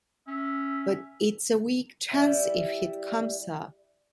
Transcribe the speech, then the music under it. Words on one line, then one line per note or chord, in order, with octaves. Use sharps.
But it's a weak chance if he'd come, sir!
C#4 E5
G3 E4